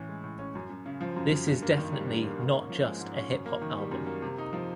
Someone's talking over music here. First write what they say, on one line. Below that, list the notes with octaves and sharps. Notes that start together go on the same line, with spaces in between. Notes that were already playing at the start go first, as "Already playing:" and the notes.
This is definitely not just a hip-hop album.
Already playing: A2 E3 C#4
G#3
A2
C#4
F#2
F#2
C#3
F3
F#2
F#2
G2
A#3
D#3
G3
G2
A#3
G#2
C#4
F3
G#3
G#2
C#4
F#2
A#3
D#3
G3
F#2
A#3
C3
D#4
F3